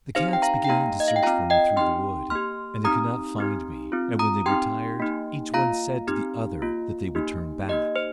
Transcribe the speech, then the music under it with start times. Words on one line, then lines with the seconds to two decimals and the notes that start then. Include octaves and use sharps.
The cats began to search for me through the wood, and they could not find me; and when they were tired, each one said to the other that they would turn back.
0.15 C4 D#4 G4 C5 F5
0.33 G5
0.42 F5 A#5
0.64 G5
0.69 A#3 D#4 G4 F5 A#5
1.00 D#5
1.08 F5
1.16 G5
1.23 C4 F4 F5 A#5
1.50 D#5 G5
1.76 C4 D#4 G4 G5 C6
2.30 A#3 G4 C6 F6
2.85 C4 D#4 G4 A#5 D#6
3.39 C4 D#4 G4
3.92 C4 F4
4.19 A#5 D#6
4.46 C4 D#4 G4 G5 C6
5.00 A#3 D#4 G4
5.54 A#3 F4 F5 A#5
6.07 C4 D#4 G4
6.62 A#3 F4
7.15 A#3 D#4 G4
7.69 A#3 D#4 G4 D#5
7.96 C5